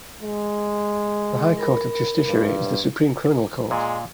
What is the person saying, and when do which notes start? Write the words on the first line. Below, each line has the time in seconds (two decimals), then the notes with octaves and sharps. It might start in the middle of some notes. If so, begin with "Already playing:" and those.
The High Court of Justiciary is the supreme criminal court.
0.22 G#3
1.57 A#4 B5
2.27 G2
3.71 A#2 G#3